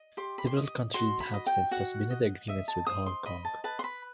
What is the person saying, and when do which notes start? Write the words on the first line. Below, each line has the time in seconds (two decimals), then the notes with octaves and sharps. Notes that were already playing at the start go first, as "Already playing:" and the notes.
Several countries have since suspended the agreements with Hong Kong.
Already playing: D#5
0.17 G4 C6
0.38 B5
0.47 C6
0.56 D#5 D#6
0.94 F#4 C6
1.20 B5
1.34 D#5
1.46 G5
1.71 F#4 F#5
2.10 D#5
2.48 D#5 E5
2.68 A5
2.87 C5 D#6
3.06 C6
3.26 D#5 B5
3.45 A5
3.64 B4 A5
3.79 C6
3.84 B5